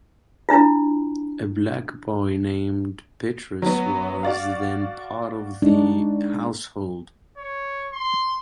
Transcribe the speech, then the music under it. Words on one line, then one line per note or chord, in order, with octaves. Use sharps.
A black boy named Petrus was then part of the household.
D4 E4 F4
F#3 B3
F#4 D5 F5
G#3 D4 D#4
C#5
C6